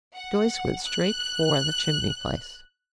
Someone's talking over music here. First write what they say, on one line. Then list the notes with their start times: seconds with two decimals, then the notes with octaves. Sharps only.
Joyce went straight for the chimney-place.
0.15 F#5
0.82 F#6